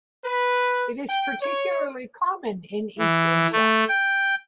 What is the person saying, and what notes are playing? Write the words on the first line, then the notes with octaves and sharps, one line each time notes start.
It is particularly common in East Asia.
B4
G5
C#5
E3
A3
G5